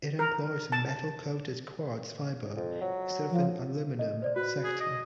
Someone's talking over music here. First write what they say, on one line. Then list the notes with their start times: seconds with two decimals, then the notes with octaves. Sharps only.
It employs a metal-coated quartz fiber instead of an aluminum sector.
0.19 A#4
0.72 A5
2.56 F2
2.81 F#3
3.31 F3
3.99 D#5
4.22 C5 D5
4.36 F#4 B4
4.64 G#4
4.80 D#5